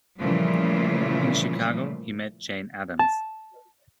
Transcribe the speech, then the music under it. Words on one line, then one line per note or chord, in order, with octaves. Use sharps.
In Chicago he met Jane Addams.
A#2 C#3 E3 F3 G3 A3
A5